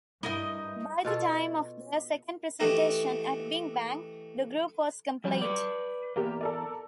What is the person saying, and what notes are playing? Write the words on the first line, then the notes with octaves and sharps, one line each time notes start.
By the time of their second presentation, at Big Bang, the group was complete.
G2 D#4 E4 A#4 D#5
B2 F4 A4
E3 A3 F#4 G4 A4 D#5
F3 G3
B4 D5
E2 A#3 G4
A4 A#4 D5